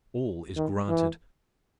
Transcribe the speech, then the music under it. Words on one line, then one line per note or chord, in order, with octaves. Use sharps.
All is granted.
D#3
E3